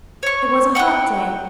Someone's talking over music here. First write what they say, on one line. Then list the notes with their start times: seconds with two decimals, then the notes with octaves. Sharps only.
It was a hot day.
0.23 C#5 C#6
0.75 F#5 G5 C#6 F#6